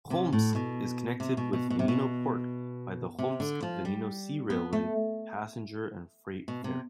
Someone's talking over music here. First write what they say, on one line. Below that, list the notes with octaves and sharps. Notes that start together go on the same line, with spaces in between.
Kholmsk is connected with Vanino port by the Kholmsk-Vanino sea railway passenger-and-freight ferry.
C3
A2
B2
C3
B2
B2
B2
C3
B2
C3
D3
F3
G3
B3
A3
B2
C3